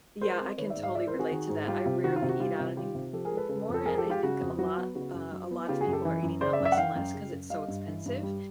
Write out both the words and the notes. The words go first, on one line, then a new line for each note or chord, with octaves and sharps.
Yeah, I can totally relate to that. I rarely eat out anymore, and I think a lot uh, a lot of people are eating out less and less 'cause it's so expensive,
G#3 A#4 C5
C4
D#3 B4 C#5
D5 E5
G#2
D#5 F5
G#3 D5 E5
A#4 C5
C4
F#4 G#4
D#3
G#2
G3 F4 G4
C3
D#3 F#4
F4
C3
F#4
G3 F4 G4
C3
D#3 F4 G4
C3
F3 G4 A4
G#4 A#4
G#3
A4 B4
C#3 A4 B4
F2
A4
F3 G#4 A#4
G4 A4
G#3
F4 G4
C#3 F#4
F2
F#3 F#4
B3
C#3 F#4
F#2
F#3
B3
C#3 F4 G4
F#4 G#4
F#2
G4 A4
E3
F#2
C#3 C5 D5
D5 E5
F#2
D5 E5
F#5
E3 F5 G5
F#2
C#3
F#2
G3 D#5 F5
G2
E3
G2
G3